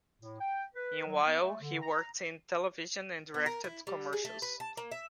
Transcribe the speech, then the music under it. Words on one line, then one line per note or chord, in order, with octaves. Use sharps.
Meanwhile, he worked in television and directed commercials.
A2
G5
B4
F#3
B3
A3
D3
A#5
B3
A#4
E4
G3
G#4
A3
B4
A5
A#3
E5